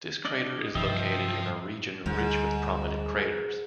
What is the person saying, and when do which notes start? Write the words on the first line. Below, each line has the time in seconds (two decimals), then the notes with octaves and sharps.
This crater is located in a region rich with prominent craters.
0.25 D4 D5 D#5
0.75 G2 C3 F3 D#5 E5 G5
2.06 D2 G#2 G3